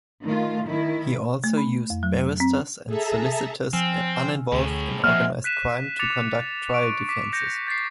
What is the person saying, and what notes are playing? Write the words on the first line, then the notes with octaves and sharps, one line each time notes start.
He also used barristers and solicitors uninvolved in organized crime to conduct trial defenses.
D#3 A3 F4
D#3 E4
A3
B5
F2
F#3
C4
G#4 A4 E5 A5 A#5
F3 C4 G#5 E6 F6
D2 A2 C#4 G#4
C3 F3 G#3 A#3 C5 E5 F#5 F6
F#6 B6 D#7 E7
D6 A6 C#7 F7
C#6 D7
D6 B6
G6 A#6 C#7
G6 A6 B6 C7